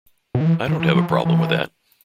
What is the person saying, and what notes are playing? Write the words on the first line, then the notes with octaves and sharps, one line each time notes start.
I don't have a problem with that.
B2
D#3
E3
D#3
E3
F3
E3
E3